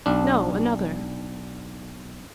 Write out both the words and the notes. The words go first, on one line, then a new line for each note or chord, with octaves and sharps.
"No, another."
B1 D4